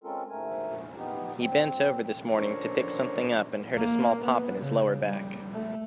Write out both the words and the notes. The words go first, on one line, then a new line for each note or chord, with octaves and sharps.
He bent over this morning to pick something up and heard a small pop in his lower back.
G#3 C4 C#4 F4 A4 A#4
D2 G#2 A3 A#4 G#5
B3 D#4 G4
C4
C#4 D4 A4 A#4 C5 C#5
A#3
B3
C#3
G3
A3